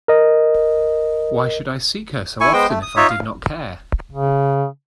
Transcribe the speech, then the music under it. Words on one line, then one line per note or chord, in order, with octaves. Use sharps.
Why should I seek her so often if I did not care?
A#4 D#5
E4 G#5 C#6
G#3 B3 C5 G5
A3
D#6
D#4 F4 C#5 E5
F5
C#3